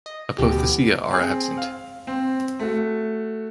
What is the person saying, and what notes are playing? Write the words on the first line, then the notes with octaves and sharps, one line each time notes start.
Apothecia are absent.
D#5
D2 B2 E3 G4
C4 G#4
F5
C4
A3 F#4